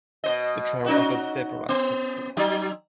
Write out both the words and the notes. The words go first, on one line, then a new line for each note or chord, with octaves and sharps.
The trail offers several activities.
B2 C5 D#5
C#4 D#4 F#4
B3
F#3 D#4